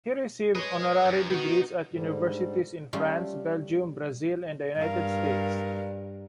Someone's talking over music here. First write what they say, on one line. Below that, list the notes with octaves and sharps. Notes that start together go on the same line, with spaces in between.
He received honorary degrees at universities in France, Belgium, Brazil and the United States.
G#4 B4 C#5 D#5
F#2
D#3 B3 D#4 F#4
G#2 D3 G3
G3 A3 C#4 F4
G2 A#4 F5